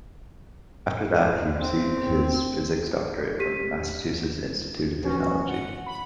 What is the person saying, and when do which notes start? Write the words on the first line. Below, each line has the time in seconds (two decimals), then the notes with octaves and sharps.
After that he received his physics doctorate from the Massachusetts Institute of Technology.
1.60 C4
3.39 G4 B6 D#7
5.03 E3 F3 C#4 F#4
5.49 F#5
5.86 B5